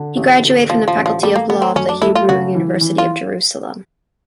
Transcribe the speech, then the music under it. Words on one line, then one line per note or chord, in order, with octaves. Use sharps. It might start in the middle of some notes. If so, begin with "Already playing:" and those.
He graduated from the Faculty of Law of the Hebrew University of Jerusalem.
Already playing: D3
A1
D3
A1 F3
F3
A1
F3
G3 A3
A#3
A3 B3
C4
F#2 C#4
D4
A3 E4
F4
C#3 F#4
E3
E3
F4